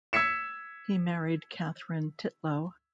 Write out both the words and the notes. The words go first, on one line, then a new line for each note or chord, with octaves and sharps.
He married Catherine Titlow.
E6 G#6 B6 C#7 E7